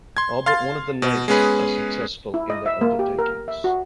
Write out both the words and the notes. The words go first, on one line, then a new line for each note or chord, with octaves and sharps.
All but one of the knights are successful in their undertakings.
C6 G#6
F5 C6 A6
B2
G#3 B3 C#4 G#4 B4
E4
D#5
E5
A#3
G4
A#4
E5
F#4